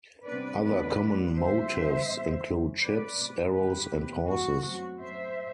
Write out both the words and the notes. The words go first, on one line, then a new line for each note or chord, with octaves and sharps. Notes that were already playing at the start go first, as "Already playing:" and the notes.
Other common motifs include ships, arrows and horses.
C3 G3 B3 D4 B4 D5
F#2 E3 B3 D4 B4 D5
E2 B2 A3 D4
D3 G3 C4 C5 E5
D3 G3 C4
A2 E3 B3
F#2 D3 A3
G2 F#3 C4 B4 D5
B2 A3 C4
E2 D3 G3 G4 B4
E2 C3 E3
G2 E3 B3 F#4
F#2 F#3 A3 C4
F#2 F#3 A3 C5 E5